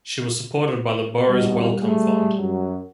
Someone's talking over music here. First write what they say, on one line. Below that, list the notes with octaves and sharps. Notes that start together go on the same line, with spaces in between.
She was supported by the Burroughs Wellcome fund.
D#2 G#2 B2 G3
A3 G#4
F#2 F#3